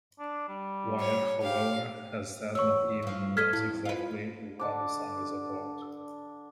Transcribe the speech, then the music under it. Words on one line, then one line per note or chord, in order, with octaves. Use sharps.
Wire, however, has said not even he knows exactly what the song is about.
D4
G3
C#5
G4 F5
E2 C#5 C#6 E6
G2 F3
A3 A4 D#5 F6 G#6 B6
F2 A2 E4
F4 B4
D3 D4 D6